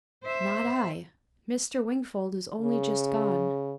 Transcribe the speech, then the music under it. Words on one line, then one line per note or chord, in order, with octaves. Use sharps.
"Not I! Mr. Wingfold is only just gone."
C5 E5
C#3